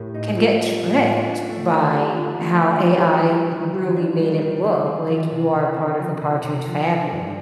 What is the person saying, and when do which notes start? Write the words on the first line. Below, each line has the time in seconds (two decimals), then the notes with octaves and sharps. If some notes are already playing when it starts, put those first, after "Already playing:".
can get tricked by how AI really made it look like you are part of the Partridge family.
Already playing: A2 G4 A#4
0.14 D#4
0.37 C4 F4 A4
0.59 G3
0.81 A2
1.04 D#4
1.27 D4
1.49 A3
1.72 D#3
1.95 G4
2.16 D4 F4
2.40 A3
2.62 D#3
2.84 G4
3.07 D4
3.29 G3
3.52 D#3
3.74 D#3
3.88 F4
3.96 D4 D#4
4.19 G3
4.41 D#3
4.64 D#3
4.87 C4
5.09 F3
5.32 C3
5.55 C3
5.76 C4
5.99 F3
6.21 C3
6.44 C3
6.67 F3
6.89 D3
7.12 G2